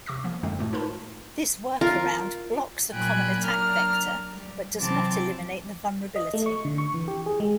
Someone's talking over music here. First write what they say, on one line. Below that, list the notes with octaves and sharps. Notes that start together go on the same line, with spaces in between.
This workaround blocks a common attack vector but does not eliminate the vulnerability.
C3 C#6 D6 E6 A#6
F3 A#3
F#2 D3 G#3 A#3 C4
A2 A3 F#4
D#4 F4 A#4 B4 A5 B5
F4 A#4
A#2 F#3 G5 G#5 B5 F#6
F#3 A#3 D4 A#5 F6
G3
C3 E3 F#3 C4 A5 D6
D#5
A3
C#6
D3
C#6
E3
G4
G#4
G#3